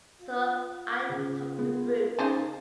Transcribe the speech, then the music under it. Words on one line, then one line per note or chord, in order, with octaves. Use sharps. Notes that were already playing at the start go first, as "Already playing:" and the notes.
So I took the brooch.
F4
C#3
B3 G#4
C#3 D#4 C5 F5 G#5 A5